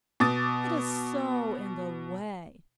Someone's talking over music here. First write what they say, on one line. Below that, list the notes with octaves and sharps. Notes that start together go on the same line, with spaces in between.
It is so in the way!
B2 D6 D#6 A6